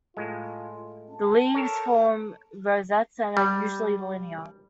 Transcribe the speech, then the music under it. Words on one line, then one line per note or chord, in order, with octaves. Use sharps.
The leaves form rosettes and are usually linear.
A2 G#3 F4
A5
A4 A#4 C#5
G3